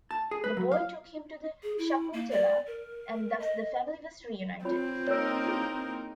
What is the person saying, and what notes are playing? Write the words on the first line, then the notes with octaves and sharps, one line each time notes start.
The boy took him to Shakuntala, and thus the family was reunited.
A5
G#4
B4
F#3
F5
G#4
E4
A#3
D5
A#4
D#5
C4 F4 C#5 B5
A#3 D#4 A#4 C#5 E6
E4 G#4